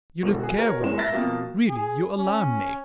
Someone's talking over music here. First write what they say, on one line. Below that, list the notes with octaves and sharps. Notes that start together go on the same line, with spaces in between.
You look careworn; really, you alarm me.
E1 D3
F#4 G#4
A#4 C#5
F#1 E2 G#3 E7
E5 A6 A#6
F2 B2 A#3
G#4
C#4